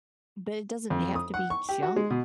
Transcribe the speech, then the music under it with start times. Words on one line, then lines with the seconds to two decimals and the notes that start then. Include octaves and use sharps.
but it doesn't have to be junk,
0.90 F2
1.15 D#6
1.34 F#5
1.50 C#6
1.69 G4
1.82 F#4
1.96 G#3
2.10 B2